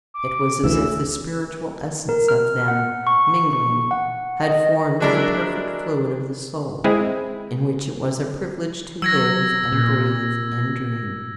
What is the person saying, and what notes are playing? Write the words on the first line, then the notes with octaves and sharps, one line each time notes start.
It was as if the spiritual essence of them, mingling, had formed the perfect fluid of the soul, in which it was a privilege to live and breathe and dream.
D6
D2 E3 E6
A#4
F6
F#5
C#6
C#6
F#5
D#5
F#3 G#3 D4 E4 A#4
G#3 C4 E4 G#4
F#3 E6 G#6 A#6
A#2